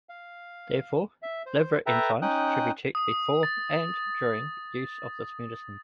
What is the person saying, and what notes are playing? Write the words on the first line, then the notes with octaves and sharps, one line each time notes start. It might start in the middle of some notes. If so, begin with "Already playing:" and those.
Therefore, liver enzymes should be checked before and during use of this medicine.
F5
E5
C5
A4 B4 E5 G5 A5 A#5
C#4 D#4 G5 D#6 F#6
D#6
A6